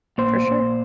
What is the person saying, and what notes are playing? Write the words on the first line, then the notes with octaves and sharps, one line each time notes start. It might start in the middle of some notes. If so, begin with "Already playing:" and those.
For sure.
A#2 C5
A#2